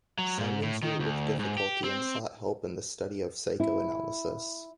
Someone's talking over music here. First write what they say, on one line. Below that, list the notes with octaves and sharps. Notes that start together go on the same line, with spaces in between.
Symons wrote with difficulty and sought help in the study of psychoanalysis.
F#3
G#2
A2
D#3
D2
G#2
G4
C4
E4